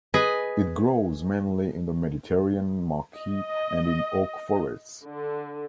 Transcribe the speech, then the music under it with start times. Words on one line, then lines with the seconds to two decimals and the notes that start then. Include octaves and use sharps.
It grows mainly in the Mediterranean maquis and in oak forests.
0.14 G#4 B4 D#5 G#5
3.18 D#5
5.02 D3